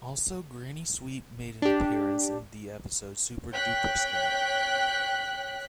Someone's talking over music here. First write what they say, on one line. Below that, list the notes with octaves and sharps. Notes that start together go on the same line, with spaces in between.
Also, Granny Sweet made an appearance in the episode Super Duper Snag.
D4 G4
C#5 G5 F#6 B6